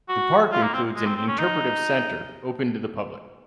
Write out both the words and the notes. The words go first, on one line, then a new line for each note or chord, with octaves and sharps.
The park includes an interpretive center open to the public.
F#4
F4
A#3
C4
G#3
C4
C4
C#4
D#4